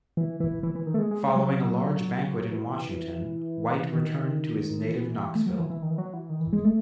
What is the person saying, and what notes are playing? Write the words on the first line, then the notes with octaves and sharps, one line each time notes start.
Following a large banquet in Washington, White returned to his native Knoxville.
E3
E3
E3
E3
D#3
A3
G#3
G#3
G#3
F#3
E3
D#3
E3
A3
F#3
E3
E3
D#3
E3
F#3
E3
D#3
E3
G#3
A3